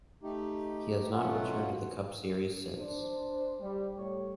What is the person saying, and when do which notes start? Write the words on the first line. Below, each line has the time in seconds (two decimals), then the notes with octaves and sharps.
He has not returned to the Cup Series since.
0.23 A3 D#4 G4
1.13 B2 F#3 A3 C#4 F4 F#5
2.79 D4 C5
3.60 G3
3.96 A2 G3 C#5